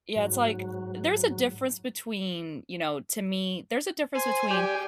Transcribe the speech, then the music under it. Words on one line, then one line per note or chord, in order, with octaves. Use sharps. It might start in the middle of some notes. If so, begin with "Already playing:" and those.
Yeah, it's like, there's a difference between, you know to me, there's a difference between
G#2 F#3
C5 G#5
G4 D5